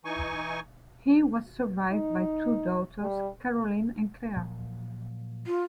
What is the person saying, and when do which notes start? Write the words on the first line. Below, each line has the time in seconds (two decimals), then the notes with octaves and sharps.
He was survived by two daughters, Caroline and Clare.
0.05 E3 D#4 G#5 C#6
1.92 D#4
3.01 G3
4.36 A#2 F3 F#3
5.47 F4